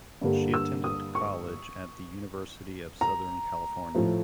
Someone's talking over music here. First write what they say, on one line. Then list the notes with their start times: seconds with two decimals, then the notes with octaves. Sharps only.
She attended college at the University of Southern California.
0.21 G2 D3 G3 A#3
0.54 E6
0.84 D#6
1.15 C#6
3.01 A#5
3.95 A2 F3 A3